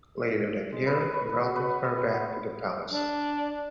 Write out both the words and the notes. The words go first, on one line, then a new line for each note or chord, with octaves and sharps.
Later that year, he welcomed her back to the palace.
G#3
B4
B4
C#5
B4
F#4
B4
C#5
G#3
C#5
B3
D4